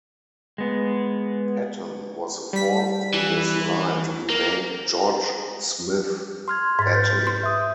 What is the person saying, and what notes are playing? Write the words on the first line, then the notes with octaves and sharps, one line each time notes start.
Patton was the fourth in his line to be named George Smith Patton.
G#3 B3
G3 B6
E3
A#3
C6 F6 G#6
G#2 A6 B6
B4 G6
C6
E5 D#6